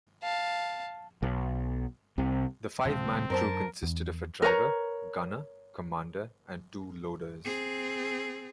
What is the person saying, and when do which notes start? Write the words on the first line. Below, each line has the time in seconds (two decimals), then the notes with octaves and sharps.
The five-man crew consisted of a driver, gunner, commander and two loaders.
0.23 F5 A5
1.23 B1
2.18 C2 C3
2.85 D#1 C#3 F3 G#3 C4
3.30 F#2 D3 A#4 C5 A5
3.83 E2
4.42 A#4 B4 C#5 A#5
7.44 C4 G#4